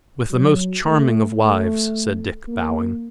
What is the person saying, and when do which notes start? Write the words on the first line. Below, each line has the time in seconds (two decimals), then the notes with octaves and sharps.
"With the most charming of wives," said Dick, bowing.
0.30 F#3
0.85 A3
1.39 A3
2.48 A#3